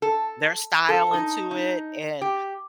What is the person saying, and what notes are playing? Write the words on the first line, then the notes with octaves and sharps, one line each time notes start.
their style into it, and,
A4
A4
D#4
D#4
G4